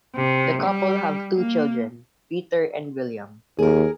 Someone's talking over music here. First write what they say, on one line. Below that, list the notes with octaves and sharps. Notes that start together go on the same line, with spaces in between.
The couple have two children, Peter and William.
C3
G3
A#3
D#2 G#4 A#4